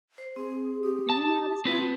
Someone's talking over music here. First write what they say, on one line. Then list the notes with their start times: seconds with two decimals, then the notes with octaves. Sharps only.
Do you know how to swim?
0.18 C5
0.36 C4 G#4
0.83 G4 D#6
1.10 A5
1.65 C4 F4 B4